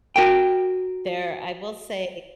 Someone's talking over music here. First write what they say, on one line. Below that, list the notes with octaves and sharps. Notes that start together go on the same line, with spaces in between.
There I will say
F#4 A#4 G5